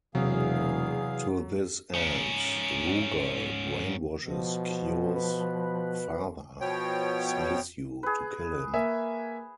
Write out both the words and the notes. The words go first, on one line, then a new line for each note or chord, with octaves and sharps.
To this end, Rugal brainwashes Kyo's father, Saisyu, to kill him.
E1 E2 C3 F#3 G#4 F5
G#2 C#4
B2 F3
B4
B2 F3 B3 C#5 G5
G#4 B4
A#3 E5 G#5